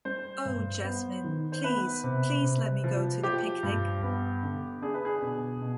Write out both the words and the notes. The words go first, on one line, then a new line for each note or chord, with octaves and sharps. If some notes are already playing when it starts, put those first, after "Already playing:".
Oh, Jasmine, please, please, let me go to the picnic.
G3 C5
G2
B3
D#3
C5
B3 B4
C3
C3
F3
F3 G4
G2
B3
D3
D4 G#4
B4
G#4
B2
B2